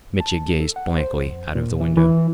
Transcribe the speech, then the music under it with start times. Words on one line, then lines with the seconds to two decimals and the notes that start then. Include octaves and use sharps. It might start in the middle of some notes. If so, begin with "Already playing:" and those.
Mitya gazed blankly out of the window.
0.20 A5
0.60 A4
0.76 F#5
0.98 C5
1.25 F2
1.55 A#2
1.81 E3
1.97 E3